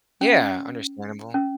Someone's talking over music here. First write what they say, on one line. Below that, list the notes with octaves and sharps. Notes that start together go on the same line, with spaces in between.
Yeah, understandable.
C#4
C#4